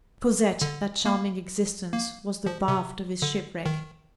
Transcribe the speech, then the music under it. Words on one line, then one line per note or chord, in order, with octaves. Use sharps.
Cosette, that charming existence, was the raft of this shipwreck.
D3
A#3
A#3
F3
C3
D3
D#3